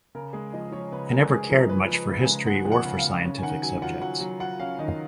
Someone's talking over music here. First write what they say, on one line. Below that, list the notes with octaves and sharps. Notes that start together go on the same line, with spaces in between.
I never cared much for history or for scientific subjects.
C#3 A#4
G#3 G#4
F3 D#5
F3 C#5
C#3 B4
G#3 A#4
G#3 G#4
F3 A#4
F3 B4
F3
B4
C#3
G#5
G#3
G#3 F#5
F3
F#5
C#3
F5
C#3
C#4
G#5
D#3 F#5
F#3 G#5
F4 F#5
F#3 F#5
F#3
F4 F#5
C#4 F5
D#3 D#5